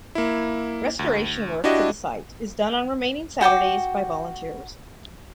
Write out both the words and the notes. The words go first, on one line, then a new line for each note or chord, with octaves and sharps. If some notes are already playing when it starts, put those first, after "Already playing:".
Restoration work to the site is done on remaining Saturdays by volunteers.
A#3 E4
D2
D4 E4 F#4 G4 D#5
F#4 G5 A5 D6